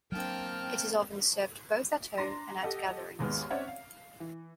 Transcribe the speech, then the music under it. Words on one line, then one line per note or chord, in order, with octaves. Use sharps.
It is often served both at home and at gatherings.
F#3 A#3 C4 D4 G5 A5 F6
D4 A#5 C6 A#6
G4 A4 D#5 F#5
G#1 D#2 G#3 B3 F6
C4 C#4 C#5 D5 E5 F#5
F5
E3